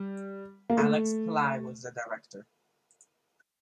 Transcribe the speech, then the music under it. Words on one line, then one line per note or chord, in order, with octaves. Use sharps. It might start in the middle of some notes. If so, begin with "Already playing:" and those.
Alex Pillai was the director.
Already playing: G3
A#3
A3